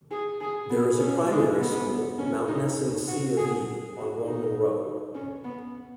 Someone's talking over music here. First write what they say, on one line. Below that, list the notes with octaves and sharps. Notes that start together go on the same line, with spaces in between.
There is a primary school, Mountnessing C of E, on Roman Road.
G#4
G#4
B3
C#4
G#3
B3
C#4
D#4
F#4
G#4
F#4
D#4
C#4
B3